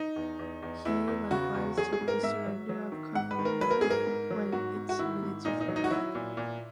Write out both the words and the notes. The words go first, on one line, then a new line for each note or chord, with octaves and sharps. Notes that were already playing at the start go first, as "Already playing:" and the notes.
He likewise took the surrender of Carmona when it submitted to Ferdinand.
Already playing: D#4
E2
E2
E2
E2 E4
E2
C#3 F#4
E2
F#3 G#4
G#4
G#2
A#4
G#2 E5
F#3
F#3
D#3
G#2 F#5
B4
D#3
A#4
F#3 B4
A#4
G#2 G#4
A#4
G#2
F#3
G#2 F#4
G#2
F#4
D#3 E4
G#2
A#2 D#4
D#4
F#3
D#4
F#4
F#3 E4
A#2
A#2